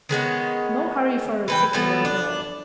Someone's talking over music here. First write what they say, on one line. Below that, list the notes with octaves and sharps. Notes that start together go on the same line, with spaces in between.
No hurry for a signal at all.
D#3 G#3 B3 C#4
E3 B4 G5
E3 F3 A3 B3
D4